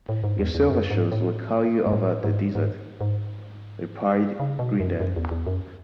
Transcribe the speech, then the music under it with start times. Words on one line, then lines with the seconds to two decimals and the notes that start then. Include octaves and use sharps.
"Your Silver Shoes will carry you over the desert," replied Glinda.
0.09 A2
0.24 G#2
0.39 E2
0.55 E2
0.70 F#2
0.91 G#2
1.12 A2
1.87 G#2
1.93 A2
2.24 G#2
2.55 G#2
3.01 G#2
4.40 C#3
4.59 B2
4.80 F#2
5.00 F#2
5.16 E2
5.31 E2
5.47 F#2